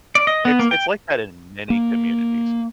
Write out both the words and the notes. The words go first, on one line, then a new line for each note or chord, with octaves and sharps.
it's it's like that in many communities.
D5
D#5
B3
A#3
G5
A#3